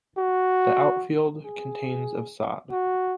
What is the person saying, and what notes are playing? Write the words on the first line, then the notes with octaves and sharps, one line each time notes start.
The outfield contains of sod.
F#4
G#4
F#4